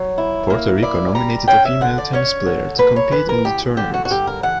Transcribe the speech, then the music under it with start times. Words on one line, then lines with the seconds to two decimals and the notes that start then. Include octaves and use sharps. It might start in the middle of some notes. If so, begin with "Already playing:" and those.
Puerto Rico nominated a female tennis player to compete in the tournament.
Already playing: F#3 C#5
0.18 E4
0.50 A#3
0.82 E4 D5
1.15 G3 A#5
1.48 C#4 G5
1.65 E5
1.81 D3 F#5
1.98 D5
2.13 C#4 C#5
2.46 D3
2.79 A#3 B4
2.96 C#5
3.11 E3 B4
3.29 A#4
3.45 D2 G4
3.77 D3 G4
3.94 F#4
4.05 F#4
4.11 G2 G4
4.27 A#4
4.43 E3 F#5